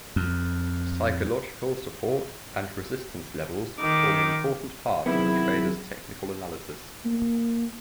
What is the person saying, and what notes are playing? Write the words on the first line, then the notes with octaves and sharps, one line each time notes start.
Psychological Support and Resistance levels form an important part of a trader's technical analysis.
F2
D#3 D6
C3 D#3 F#3 B3 E4 G#4
A#3